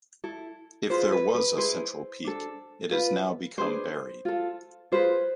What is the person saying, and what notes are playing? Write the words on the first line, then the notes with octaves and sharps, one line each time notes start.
If there was a central peak, it has now become buried.
E4 A4
F4 G#4 B4 C5
B4
B4
E4 G#4 B4 C5
D4 A4
F4 B4
D4 G#4 B4 C5
F4 A4
F4 G#4 B4 C5